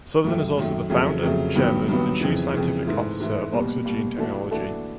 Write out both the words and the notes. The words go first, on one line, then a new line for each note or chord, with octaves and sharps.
Southern is also the Founder, Chairman and chief scientific officer of Oxford Gene Technology.
F#2 D#3 F#3 A3
F#2 D#3 F#3 A3
F2 C#3 F#3 A3
F2 C#3 F#3 A3
G2 D#3 F#3 B3
G2 D#3 F#3 B3
F2 C#3 E3
F2 C#3 E3
G#2 E3 A3
G#2 E3 A3
B2 G3 A#3
B2 G3 A#3
E3 A3 D4 F#4 A4
E3 A3 D4 F#4 A4